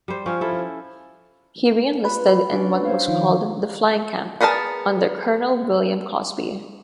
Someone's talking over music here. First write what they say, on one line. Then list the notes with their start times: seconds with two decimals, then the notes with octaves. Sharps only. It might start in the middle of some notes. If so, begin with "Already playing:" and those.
He reenlisted in what was called the "Flying Camp" under Colonel William Cosby.
0.08 G3 C5
0.26 F3 C#4
0.41 E4 A4
2.05 F4 B4
2.51 C#4 D4 F#4
2.85 C5 C#5 F5
3.08 D#3 F3
4.41 B3 G#4 A#4 D#5 A5